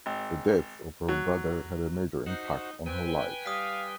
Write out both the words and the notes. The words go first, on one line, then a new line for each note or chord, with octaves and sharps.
The death of her brother had a major impact on her life.
G#1
F#3
D#4 F#4 C5 F#5
C4 B4 G5 G#5
G3 F5 D#6 B6